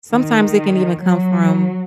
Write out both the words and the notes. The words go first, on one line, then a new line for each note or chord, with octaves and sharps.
sometimes it can even come from
D#3
F#3